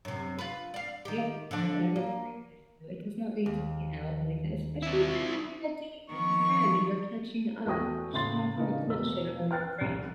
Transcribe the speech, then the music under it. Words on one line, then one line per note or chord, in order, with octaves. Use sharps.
Yep. I I agree with you. It does not need to be out like that, especially if you're having a date with a friend and you're catching up. You should have your attention on your friend.
F#2 C3
F4 B4
D5 F5
D#3 G4
D3 F3 D4
A#3
D#2
C4 E4
D#3 F3 C#6
E2 A3 F#4 G5 D#6 A#6
A2 C#3 C6 A6
C#3 E3 A#3 B3 D4 D#4
E1 B2 A#4 B4 E6
G5 F6 F#6 A6
F1 C2